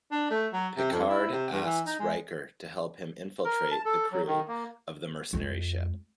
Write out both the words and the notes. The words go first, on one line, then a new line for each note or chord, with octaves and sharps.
Picard asks Riker to help him infiltrate the crew of the mercenary ship.
D4
A3
F#3
C3
F2
E4
C3
G2
E3
D#4
G#3
A#4
A5
A4
F#3
D#3
A#3
F2 G#3